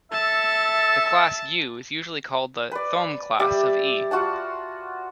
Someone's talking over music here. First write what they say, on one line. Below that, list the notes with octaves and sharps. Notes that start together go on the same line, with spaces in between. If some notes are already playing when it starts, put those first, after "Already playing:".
The class "u" is usually called the Thom class of "E".
A4 E5 A5
B4 D5
G3 D5 E5
F4 F#4 F#5 A5